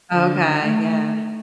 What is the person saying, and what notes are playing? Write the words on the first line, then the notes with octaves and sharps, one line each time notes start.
Okay, yeah.
D3
A3